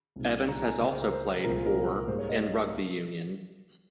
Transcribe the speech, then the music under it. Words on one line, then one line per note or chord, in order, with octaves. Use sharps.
Evans has also played for in rugby union.
C2 A#2 G#3 C4 D#4
A#5
A#5
G#5
C#2 C#3 G#3 D#5
C5
A#4
C5
C2 A#2 F3 G#3 C4 A#4
G#4
A#4
G#2 G3 A#3 C5
C#5
D#5
D#5
A#4